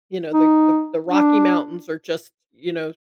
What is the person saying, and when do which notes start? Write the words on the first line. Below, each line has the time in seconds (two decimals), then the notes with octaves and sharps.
you know, the the the Rocky Mountains are just, you know,
0.33 D#4
1.08 D4